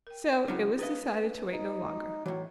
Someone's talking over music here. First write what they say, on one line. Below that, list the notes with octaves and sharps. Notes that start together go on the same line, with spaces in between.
So it was decided to wait no longer.
A#4 G5
C#3 F#3 C#4 D#4 E4 F#4
D4 G#4 B4 D#5 F5
D#4
G#3 F#4
A2 E3 F#3